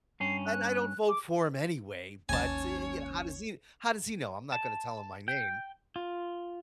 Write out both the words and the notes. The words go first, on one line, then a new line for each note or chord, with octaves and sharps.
And I don't vote for him anyway, but, eh, you how does he how does he know? I'm not gonna tell him my name,
G2 C#4 C7
F#6
D6
G#1 D#2 C#4 C#5 G#5 A5
A5
G5
F4